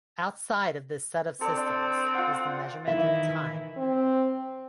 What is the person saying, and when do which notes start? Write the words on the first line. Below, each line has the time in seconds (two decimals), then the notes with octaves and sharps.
Outside of this set of systems was the measurement of time.
1.41 C4 A4 D5
1.57 D4
2.14 F4 F#5
2.88 D#3 E3 E4 E5
3.77 C4